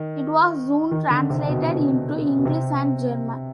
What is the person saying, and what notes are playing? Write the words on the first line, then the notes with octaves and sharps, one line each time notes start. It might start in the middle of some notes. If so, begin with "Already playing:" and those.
It was soon translated into English and German.
Already playing: D#3
D#3
D3
C3
B2
B2
C3